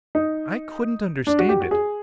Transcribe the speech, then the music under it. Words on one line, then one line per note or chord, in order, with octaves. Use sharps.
I couldn't understand it.
D#4
D4
F#4
G4
F#4
G#4